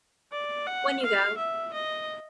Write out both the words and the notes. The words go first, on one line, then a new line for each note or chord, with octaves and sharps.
When You Go!
D5
F#5
F5
E5
D#5